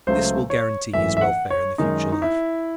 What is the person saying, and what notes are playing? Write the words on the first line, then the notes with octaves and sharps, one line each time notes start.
This will guarantee his welfare in the future life.
C#2 C#3 F#3 A3 C5
C#5
G#1 F#2 E3 A3 E5
E5
F#5
C#5
F#2 D#3 G#3 D#4
D#4
E4